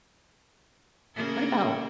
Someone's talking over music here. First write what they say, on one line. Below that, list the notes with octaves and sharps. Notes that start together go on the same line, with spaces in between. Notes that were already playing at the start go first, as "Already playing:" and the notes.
what about,
C#3 A#3 A#4